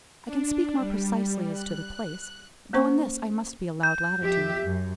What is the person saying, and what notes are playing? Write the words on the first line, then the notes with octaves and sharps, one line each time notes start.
I can speak more precisely as to the place; though in this I must be allowed latitude.
D4
G3
F#6
A#3 C#4 C5 C#6
G6
F2 G4 E5
F#2